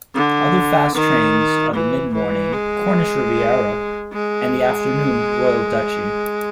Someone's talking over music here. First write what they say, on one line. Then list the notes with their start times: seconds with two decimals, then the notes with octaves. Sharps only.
Other fast trains are the mid-morning "Cornish Riviera" and the afternoon "Royal Duchy".
0.15 D3
0.94 D#3
1.74 E3
2.14 E3
2.53 G#3
4.13 G#3